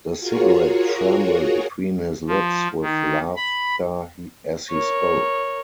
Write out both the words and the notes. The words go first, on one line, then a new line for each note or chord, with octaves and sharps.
The cigarette trembled between his lips with laughter as he spoke.
F4 F#4 G#4 A#4 C#5
F3
D#3
B5
A#4 C#5